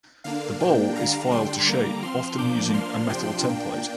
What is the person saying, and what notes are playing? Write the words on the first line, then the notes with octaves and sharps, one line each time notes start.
The bowl is filed to shape, often using a metal template.
D3 A#3 D4 F5
A#2 A#3 D4 G5
D3 G3 D4 F5 A#5
D3 G3 D4 G5 C6
D3 G3 A#3 A#5 D6
F3 C4 C6 F6
A#2 F3 A#3 D4 D6 G6
F3 A#3 D4 C6 F6
C3 F3 D4 G5 C6
A#2 A#3 D4 G5